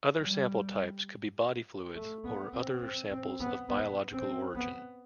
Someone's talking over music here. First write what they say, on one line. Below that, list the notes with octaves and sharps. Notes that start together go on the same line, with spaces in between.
Other sample types could be body fluids or other samples of biological origin.
G3
A3
B3
C4
C4
C4
B3
B3
C4
B3